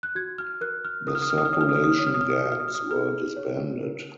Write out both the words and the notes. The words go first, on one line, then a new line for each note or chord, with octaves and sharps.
The circulation gangs were disbanded.
F#6
F#4 G#6
F6
A#4 F#6
F6
A#4 D#6
F6
D#6
F6
D#6
F6
C#5 D#6
F6
D#6
F6
D#6
F6
C#5 D#6
F6
D#6
F6
D#6
F6
F#4 D#6
F6
D#6
F6
D#6
G#4 F6
C#5
A#4